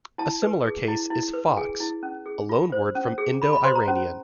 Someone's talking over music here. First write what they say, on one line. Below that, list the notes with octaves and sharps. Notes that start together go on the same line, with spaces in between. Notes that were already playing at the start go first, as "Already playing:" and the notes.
A similar case is "fox", a loanword from Indo-Iranian.
E4 A5
B4
G#4
E4
E4
B4
G#4 G#5
E4
C#4
G#4
F4
C5
C#4
G#4
F4 B5
B5
C5 C6
A#5
C#4